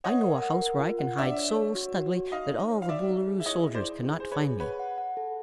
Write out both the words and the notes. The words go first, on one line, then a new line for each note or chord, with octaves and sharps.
"I know a house where I can hide so snugly that all the Boolooroo's soldiers cannot find me."
C#5 D#5 F#5
A#4
F#5
A#4
F4
F#5
D4 D5 E5
C#5
C#5
F#4
F#4
C#5
D#4 D#5 F5
D#4
C#5
F5
D#4 D5 E5
D#4
G#4
E5
E4 C#5 D#5
G#4
C5 D5
E4
G#4
G#4 C5
B4 C#5
G#4
B4 C#5 F#5
F#5
F#5
A4